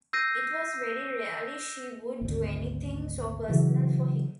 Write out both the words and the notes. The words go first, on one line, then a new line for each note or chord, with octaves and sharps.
It was very rarely she would do anything so personal for him.
E6 G6 A#6 C7 D#7
G#1 D2
C#3 E3 F#3